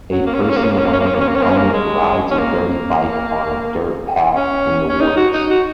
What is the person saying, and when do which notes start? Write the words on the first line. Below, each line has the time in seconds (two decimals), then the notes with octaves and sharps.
A person wearing a helmet rides a dirty bike on a dirt path in the woods.
0.11 F#3
0.26 A#3
0.34 C#4
0.41 A#3
0.49 C#4
0.56 A#3
0.64 C#4
0.71 A#3
0.78 C#4
0.85 A#3
0.93 C#4
1.00 A#3
1.07 C#4
1.14 A#3
1.21 C#4
1.28 A#3
1.35 C#4
1.42 A#3
1.50 C#4
1.57 A#3
1.73 G#3
2.31 C#4
2.38 A#3
4.35 C#4
4.89 C#4
5.01 D#4
5.16 F#4
5.33 D#4
5.50 F#4